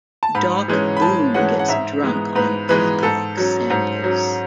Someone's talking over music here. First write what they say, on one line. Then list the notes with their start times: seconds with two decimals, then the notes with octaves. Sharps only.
Doc Boone gets drunk on Peacock's samples.
0.23 A5
0.35 G#2 B5
0.68 E3 G#3 C#4
0.97 B5
1.02 G#2 A5
1.34 E3 G#3 C#4 F#5
1.59 F#5
1.68 G#2 E5
2.03 E3 G#3 B3
2.35 G#2 B4
2.69 E3 G#3 B3 B4
3.03 G#2 A4
3.37 F#3 C#4
3.70 G#2
4.04 F#3 C#4